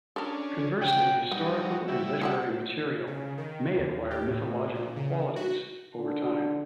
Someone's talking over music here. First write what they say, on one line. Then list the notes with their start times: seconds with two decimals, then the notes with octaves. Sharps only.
Conversely, historical and literary material may acquire mythological qualities over time.
0.16 C#4 D4 A4 A#4
0.81 C#3 F#5 G5
1.31 F#3 G3 D#4 F#4 C#5 F#5
1.88 G3 E4
2.21 F#3 G4 F#5
3.07 C#3
3.38 D#3
3.78 D#2
4.11 G4
4.25 A2
4.75 A#2
4.96 C#3
5.36 F#4
5.97 D3